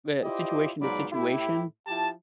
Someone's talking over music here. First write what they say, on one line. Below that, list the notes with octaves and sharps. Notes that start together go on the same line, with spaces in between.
the situation to situation.
E4 F4 G4 C5 D5 D#5
G#2 B2 F#3 F4 D5 B5
A2 E4 G4
F3 E4 G4 A5